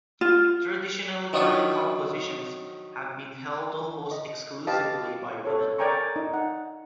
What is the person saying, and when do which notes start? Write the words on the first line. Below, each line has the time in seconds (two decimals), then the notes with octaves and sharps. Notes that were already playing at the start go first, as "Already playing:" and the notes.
Traditionally clerical positions have been held almost exclusively by women.
0.21 F4
1.33 D#3 F3 F#3 D4 F4
4.11 D#5
4.67 G4 B4 D#5 F5 A5
5.45 A4 C#5
5.78 A#4 D5 G5 G#5 A#5 C#6
6.16 D#4
6.34 F#5